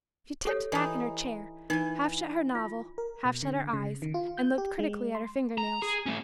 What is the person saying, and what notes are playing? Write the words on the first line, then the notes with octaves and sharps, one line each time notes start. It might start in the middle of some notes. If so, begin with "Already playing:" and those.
She tipped back in her chair, half shut her novel, half shut her eyes, and looked critically at her finger-nails.
G4 A4 C#5
E3 D#4
E3 D#4 G#5
F4
A#4
B2
D3
C#3
D#3
F4
G6
G4
G#3
C6
A#5
G#4
A3 C#4